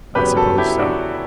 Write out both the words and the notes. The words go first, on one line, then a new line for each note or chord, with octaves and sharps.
"I supposed so."
F#1 E2 C#3 F#3 G4 B4
F#4 A4
E4 G4
D4 F#4